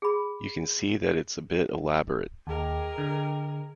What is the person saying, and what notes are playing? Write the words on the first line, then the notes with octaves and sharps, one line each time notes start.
You can see that it's a bit elaborate?
G#4 B5
D#2 G#4 A#4 D#5 G5 D6
D3